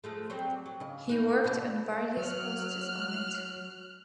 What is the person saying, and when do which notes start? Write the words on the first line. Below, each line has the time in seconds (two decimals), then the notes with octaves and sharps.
He worked on various posts on it.
0.04 F3 G#3 A3
0.30 F#3 G3 C4
0.66 F#3
0.80 C#3 D#5
1.09 D#4 B4
1.43 E2 B2 D4
2.17 F#3 F6 F#6